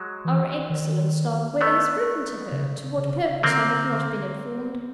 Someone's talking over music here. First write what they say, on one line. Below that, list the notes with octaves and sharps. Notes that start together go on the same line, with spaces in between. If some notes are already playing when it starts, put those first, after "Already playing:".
Our excellent Starkweather has written to her--to what purpose I have not been informed.
Already playing: F#3 G#3
E3
D#3
A3 B3
C#3
C#3
D3 A#3 C4